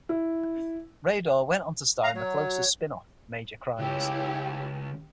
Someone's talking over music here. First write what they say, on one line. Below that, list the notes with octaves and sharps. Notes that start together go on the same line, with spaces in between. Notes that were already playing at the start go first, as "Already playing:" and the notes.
Raydor went on to star in "The Closer"s spin-off, "Major Crimes".
E4
F5 A#5
F#3 C#5
C#2 E4 G4 C#5